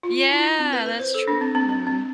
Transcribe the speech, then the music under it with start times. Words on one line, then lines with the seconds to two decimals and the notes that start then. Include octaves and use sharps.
Yeah, that's true.
0.03 F4
0.31 E4
0.59 C4
0.73 B4
0.86 B4
0.99 C5
1.14 A4
1.28 D4
1.41 C4
1.55 C4
1.69 C4
1.87 C4